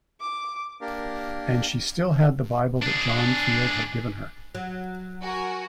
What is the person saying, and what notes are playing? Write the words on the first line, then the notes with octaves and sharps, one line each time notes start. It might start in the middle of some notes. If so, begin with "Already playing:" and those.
And she still had the Bible that John Field had given her.
D6
A#3 D4 G4 A#4
D4 G#4
F#3
F#4 A#4 G#5